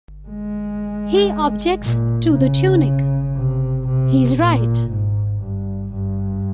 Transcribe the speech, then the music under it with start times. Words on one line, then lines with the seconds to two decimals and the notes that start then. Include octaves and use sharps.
He objects to the tunic. He is right.
0.28 G#3
1.82 A#2
2.34 C#3
3.36 C3
3.87 C3
4.39 A#2
4.90 G#2
5.41 G2
5.93 G2